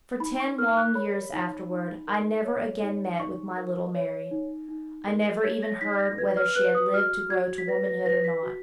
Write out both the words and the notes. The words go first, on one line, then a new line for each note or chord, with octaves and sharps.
For ten long years afterward I never again met with my little Mary; I never even heard whether she had lived to grow to womanhood or not.
D#4 B5
C#6
A#4 F6
F#6
C#5 B5
D#4
D#4
A#4
C#5
D#4
D#4 C#6
A#4
C#5
D#4
D#4
A#4
C#5 G#6
A#6
D#4 B6
A#6
B4 G#6
F6
B4 F#6
D#6
F#4 F6
F#4 G#6
B6
B4 A#6
A#6
B4 A#6
B6
F#4